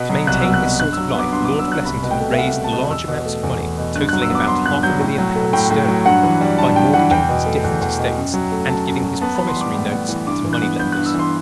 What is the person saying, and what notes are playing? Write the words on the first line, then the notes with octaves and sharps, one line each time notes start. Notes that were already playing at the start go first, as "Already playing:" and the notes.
To maintain this sort of life Lord Blessington raised large amounts of money, totaling about half a million pounds sterling, by mortgaging his different estates and giving his promissory notes to money-lenders.
Already playing: B2 B3
F#3
C2 F#6
B3 E6
F#6
B2
G2 F#6
F#3 E6
B3 D6
G2 C6
D6
G2
E6
F#3 F#6
C2 B5
B2
G5
A3
E5
C2 F#5
C2
A5
B2
E2 E6
B2
A3
E2
E2
B2
G2 F#6
F#3 F#6
E6
B3 D6
G2 C6
G2 F#6
F#3 G6
A2
F#3
A3
A2 G5
A2
F#3
G2 F#5
E3
G3
G2 A5
G2 G5
E3 F#5
E2 G5
B2
A3
E2
E2
B2
F#2
F#3
A3
F#2 A5
F#2
F#3
B3 A5
E3 B5
C6
G3 D6
A2
B3
E3
G2 D6
E3
F#6
B3
G2 G6
G2 F#6
E6
E3 C6